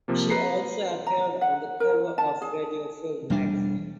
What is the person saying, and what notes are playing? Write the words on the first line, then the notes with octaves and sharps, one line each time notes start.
She also appeared on the cover of "Radio Film" magazine.
C3 F3 A#3
B4 A#5 C7 C#7
A#5
F#5
A#4
A5
G#4
E1 G3 D4